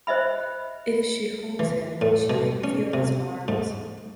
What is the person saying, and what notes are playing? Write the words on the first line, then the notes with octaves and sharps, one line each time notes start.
If she holds him, she might feel his arms.
C5 D#5 E5 B5
E3
A2
B2
C#4
C3
G#2